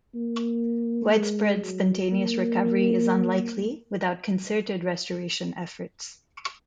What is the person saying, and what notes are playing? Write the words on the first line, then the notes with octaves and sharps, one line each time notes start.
Widespread spontaneous recovery is unlikely without concerted restoration efforts.
A#3
G#3
F#3
A#3